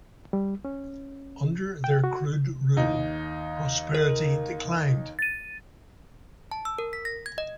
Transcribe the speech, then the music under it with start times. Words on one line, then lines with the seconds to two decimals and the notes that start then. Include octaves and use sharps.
Under their crude rule, prosperity declined.
0.33 G3
0.65 C#4
1.84 G5
2.04 F#4
2.77 D#2 D#4
3.94 A#4
5.19 A6 D#7
6.51 A5
6.65 E6
6.78 A#4
6.93 B6
7.05 A#6
7.26 G#6
7.38 D#5